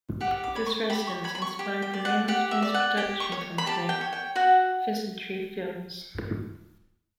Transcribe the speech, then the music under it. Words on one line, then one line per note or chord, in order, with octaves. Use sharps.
This residence inspired the name of his production company, Pheasantry Films.
G4 F#5
D6
C#5 B5
C#6
G4 B5
C#6
C#5 B5
B5
C#6
G4
G5
D5
F#5
G4 F#5
E5
D5
F#5
G4 G5
C#6
C#5
B5
G4 A5
G5
C#5
G5
F#4 F#5